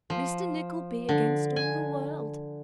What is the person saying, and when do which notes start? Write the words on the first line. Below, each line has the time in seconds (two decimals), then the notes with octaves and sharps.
Mr Nickleby against all the world.
0.10 F3
1.09 D3
1.56 G#5